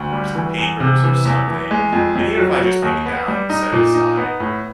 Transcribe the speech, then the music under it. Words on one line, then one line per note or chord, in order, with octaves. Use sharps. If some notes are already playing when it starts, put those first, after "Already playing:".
or some papers or something, and even if I just pick it down, set it aside,
Already playing: D2
G3
E3
E2
C3
E3
E2
E3
G#3
F2
F2
F#3
F#3
D#2
B3
G3
D#4
A#2
D#4
B3
A2